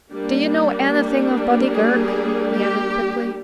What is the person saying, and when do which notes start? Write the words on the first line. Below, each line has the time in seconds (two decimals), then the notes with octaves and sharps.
"Do you know anything of Buddy Girk?" he added quickly.
0.12 G3 A#3 D4
1.73 G#4
2.54 G4